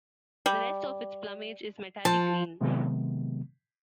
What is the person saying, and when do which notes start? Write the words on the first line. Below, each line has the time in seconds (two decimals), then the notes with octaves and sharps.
The rest of its plumage is metallic green.
0.46 G3
2.05 F3 A5
2.61 C3 D#3 F#3 G#3 B3